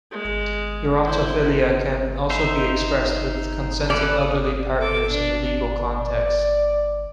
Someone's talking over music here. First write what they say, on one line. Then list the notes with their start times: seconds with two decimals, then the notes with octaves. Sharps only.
Gerontophilia can also be expressed with consenting elderly partners in a legal context.
0.11 G#3
1.05 E4 C5
2.30 D#4 C5 E5
3.90 C#4 A4 B4 D5
4.19 D#6
4.78 A4 D6
5.10 D4
5.95 D5